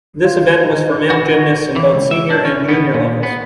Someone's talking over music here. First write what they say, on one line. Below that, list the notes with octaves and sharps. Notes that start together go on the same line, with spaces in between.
This event was for male gymnasts in both senior and junior levels.
F4
D#4
F#4
E3
C#2
E5
D4
C#4
B3
A#2
B3